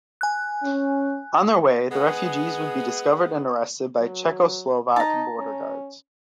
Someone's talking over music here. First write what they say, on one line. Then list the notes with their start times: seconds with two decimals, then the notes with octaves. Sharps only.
On their way the refugees would be discovered and arrested by Czechoslovak border guards.
0.21 G#5 F#6
0.63 C#4
1.92 G#3 B3 G#4
3.97 F#3
4.96 D#4 A5 A#5
5.37 C#4